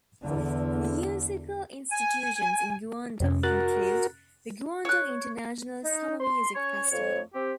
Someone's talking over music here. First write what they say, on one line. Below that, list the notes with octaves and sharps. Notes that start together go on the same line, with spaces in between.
Musical institutions in Guangdong include the Guangdong International Summer Music Festival.
E2 D3
G#5
F2 C3 C#4
F#4 A#4 F#6 A6
C#5 F#6
D#4
C6
C#4 C#5
F2 C#5
C4 G4